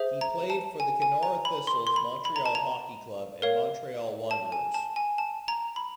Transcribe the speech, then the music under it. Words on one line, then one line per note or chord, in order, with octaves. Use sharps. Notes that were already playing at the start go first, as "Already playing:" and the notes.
He played for the Kenora Thistles, Montreal Hockey Club, and Montreal Wanderers.
Already playing: G#4 C5 E5
A#5
A5
G#5
G#5
A#5
B5
C6
C6
B5
B5
A#5
A5
A#5
A#4 C#5 F5
A5
G#5
A5
G#5
A5
A#5
B5